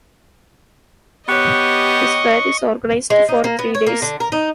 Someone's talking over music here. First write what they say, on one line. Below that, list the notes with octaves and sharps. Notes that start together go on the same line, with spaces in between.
This fair is organised for three days.
B3 G4 C#5 D#5 C#6 F#6
G#3
D#4
A#3
B3
C#5
A#3
D3
A#4
D#4